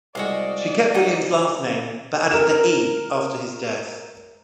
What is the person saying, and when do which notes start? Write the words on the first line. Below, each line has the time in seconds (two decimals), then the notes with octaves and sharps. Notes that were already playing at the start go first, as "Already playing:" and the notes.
She kept William's last name but added the "e" after his death.
0.15 C2 G#3 F#4 D5 D#5 F5
0.94 D#4 D#5 F#5 G#5 A#5
2.31 A#4 E7